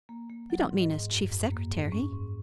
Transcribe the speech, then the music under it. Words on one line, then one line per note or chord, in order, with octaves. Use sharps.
"You don't mean as Chief Secretary?"
A#3
A#3
F#3 F#5
G#2
D#5
G#2
F#2
F#2
A#3
G#2
C#4
G#2